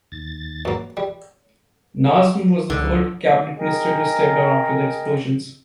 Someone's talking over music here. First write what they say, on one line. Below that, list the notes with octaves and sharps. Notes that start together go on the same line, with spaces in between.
Najm was the third cabinet minister to step down after the explosions.
D#2 A6
F#2 A#3
G3
C#2 D3
G#4 A#4 D#5 G5